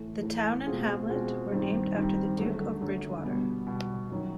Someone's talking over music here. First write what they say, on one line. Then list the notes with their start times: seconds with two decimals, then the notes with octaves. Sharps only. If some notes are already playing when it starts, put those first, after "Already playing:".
The town and hamlet were named after the Duke of Bridgewater.
Already playing: A2 E3 A3
0.22 A2 E3 A3
0.66 B2 G#3 C4 F4 G#4
1.09 B2 G#3 C4 F4 G#4
1.52 G2 D#3 G3 C4
1.95 G2 D#3 G3 C4
2.37 F#2 D3 F#3 A3
2.81 F#2 D3 F#3 A3
3.24 B2 G3 B3
3.67 B2 G3 B3
4.11 F#2 D#3 F#3